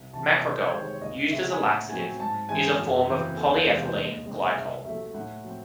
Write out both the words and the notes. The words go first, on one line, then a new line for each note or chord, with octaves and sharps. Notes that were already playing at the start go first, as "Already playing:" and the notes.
Macrogol, used as a laxative, is a form of polyethylene glycol.
Already playing: C2
C3 E3 C4 A5
C#5
C2 D#5
C5
C#5
C3 D#3 G#3 C4 C5
C#5
C#2 D#5
C#3 G#3 C4 E5
G#5
A2 F#5
F#3 C4 G#5
G#2 A5
E3 G#3 C4 G#5
F#2
C#3 E3 C4
E2 A4
C5
C3 E3 G#3 C5
C5
D#2 D#5
C#3 G#3 C4
C2 E5
C3 F#3 A3 E5
A2 F#5
F#3 C4